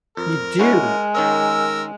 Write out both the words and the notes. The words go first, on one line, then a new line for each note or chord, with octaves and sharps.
You do.
F2 A#4
G#3 C#4 E4 F#4
D#3 C#4 A#4 D#5 E6